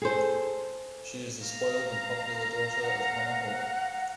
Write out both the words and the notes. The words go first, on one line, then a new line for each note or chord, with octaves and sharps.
She is the spoiled and popular daughter of Connor Hawke.
G#4 A4 C5
F5 A#5
F#5